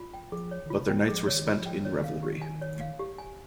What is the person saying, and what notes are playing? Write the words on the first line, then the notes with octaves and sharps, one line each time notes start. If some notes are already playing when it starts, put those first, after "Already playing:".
But their nights were spent in revelry.
Already playing: F4
G5
F3 G#4
C#5
D#3
C#3 F4
G5
F3 G#4
C#3 C#5
D#3
F4
F3
G5
D#3 C#5
F5
G4
G#5
C#5
F5
G4
G#5